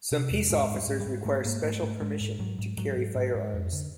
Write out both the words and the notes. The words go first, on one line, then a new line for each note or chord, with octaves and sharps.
Some peace officers require special permission to carry firearms.
C3
E2
G#2 G#3
G#2
G3
G#2
G3
G#2
G#2 A3
G#2 A#3
G#2 A3
G#2 A3
G#2 G#3
G#2
G#2 F#3
G#2
G#2 F#3
G#2
G#2
G#2
F2
D3